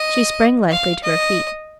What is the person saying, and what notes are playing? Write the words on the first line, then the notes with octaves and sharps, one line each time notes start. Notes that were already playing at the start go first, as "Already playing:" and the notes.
She sprang lithely to her feet.
Already playing: D#5
F5
D#5